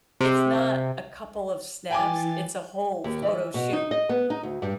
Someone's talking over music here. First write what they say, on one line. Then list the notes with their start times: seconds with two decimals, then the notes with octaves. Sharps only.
it's not a couple of snaps, it's a whole photo shoot.
0.21 C3
1.91 E3 G5 G#5 D6 A6
3.04 D#2
3.22 E3
3.54 B2
3.73 D#4
3.91 D#5
4.09 B3
4.30 D#4
4.43 D2
4.62 G2